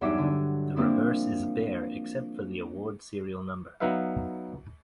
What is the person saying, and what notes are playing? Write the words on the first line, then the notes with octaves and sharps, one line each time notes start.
The reverse is bare except for the award serial number.
E2 G2 F#3 D#4 E5 D6
D3
F3 A#3 C4 D4 E4
F#3 B3 D#4 B4 E5 F5